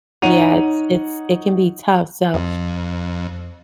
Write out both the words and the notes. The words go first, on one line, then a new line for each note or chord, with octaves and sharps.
Yeah, it's it's it can be tough, so
D#4 C#5 F#5 D#7 F7
F2